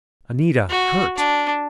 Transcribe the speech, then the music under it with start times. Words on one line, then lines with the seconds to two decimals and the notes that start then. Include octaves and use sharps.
Anita hurt!
0.70 F#4
1.16 D4